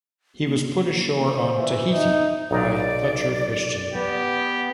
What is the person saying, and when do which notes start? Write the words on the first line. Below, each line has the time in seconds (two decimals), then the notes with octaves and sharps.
He was put ashore on Tahiti by Fletcher Christian.
0.47 A#3
1.26 C5
1.57 E3
1.94 D#4 E5
2.51 B1 D#4 D5 A#5
3.93 B3 G4